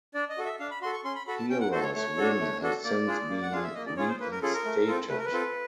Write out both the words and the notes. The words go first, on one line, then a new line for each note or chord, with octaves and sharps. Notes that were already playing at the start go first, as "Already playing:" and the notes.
Heras' win has since been reinstated.
D4 D5
D#5
F#4 A4
E5
D4 F5
B5
F#4 A4 C6
C#6
C#4 C6
B5
F#4 A4 B5
A5
C#4 G5
F#5
F#4 A4 C5
C#5
A3 C#5
D4 F#4 A4
A3
D4 F#4 A4
A#3 D5
D4 F4 G#4
A#3
F#5
D4 F4 G#4 F5
E5
A#3 D#5
D5
C#4 F4 G#4 C#5
C5
A#3 B4
A#4
C#4 F4 G#4 A4
A#4
A3
C4 F4 A4
A3 B4
A#4
B4
C4 F4 A4